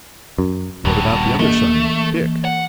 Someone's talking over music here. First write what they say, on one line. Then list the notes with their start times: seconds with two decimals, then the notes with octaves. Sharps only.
"What about the other son--Dick?"
0.38 F#2
0.85 D#1 G2 B2
1.39 E3 A3 A#3 G7
2.45 F#5